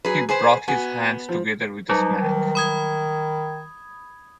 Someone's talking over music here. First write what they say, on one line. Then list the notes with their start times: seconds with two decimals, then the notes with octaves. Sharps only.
He brought his hands together with a smack.
0.05 F#3 G#4 B4
0.29 G#4 B4 C5 G#5
0.68 B3 F#4 G#5
1.29 F3
1.89 F#3 G3 D#4
2.21 D#3
2.55 B5 D#6 G#6